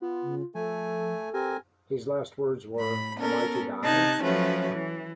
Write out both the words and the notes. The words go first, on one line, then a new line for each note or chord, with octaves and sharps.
His last words were, Am I to die?
B3 F4
C#3
F3 A3 A4 G#5
C4 G4 A#4 G#5
A2 B5
B3 C#4 A4 A#4
C3 D#4 A5 F#6 G#6
F3 F#3 A3 C#4 F#4 B4
E3